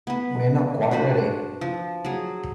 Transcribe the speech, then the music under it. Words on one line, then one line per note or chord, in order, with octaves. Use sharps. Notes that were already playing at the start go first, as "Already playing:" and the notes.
We are not quite ready!
B3 B4
D4 F#4 B4 C5
F3
F#3 G#4